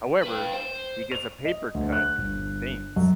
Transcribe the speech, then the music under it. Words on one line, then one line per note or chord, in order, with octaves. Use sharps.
However, he gets a paper cut and faints.
B4 G5
C5
F7
D#5
D2
F#6
G1
F#2